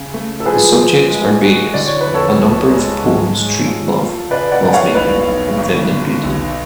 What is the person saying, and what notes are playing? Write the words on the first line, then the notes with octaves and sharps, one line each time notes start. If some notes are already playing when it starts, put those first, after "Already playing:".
The subjects are various: a number of poems treat love, lovemaking, and feminine beauty.
Already playing: C#3
A3
A4
F3 G#4 B4
F3
G#3
F#4
D3 D5
C#5
B4
F2
A4 C#5
C#2
G#3
G#2
G#3
F4
F4
C#3 B4 D5
D5 F#5
F#2
C#5 F5
B1 B4 D5
B1
G#1
D3
B1